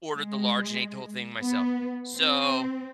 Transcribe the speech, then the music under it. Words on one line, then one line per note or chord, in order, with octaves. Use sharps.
ordered the large and ate the whole thing myself. So
G#3
B3
C4